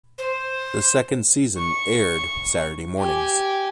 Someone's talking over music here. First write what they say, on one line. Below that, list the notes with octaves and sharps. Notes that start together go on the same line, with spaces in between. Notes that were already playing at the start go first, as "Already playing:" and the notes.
The second season aired Saturday mornings.
C5
C#6
G4 G#5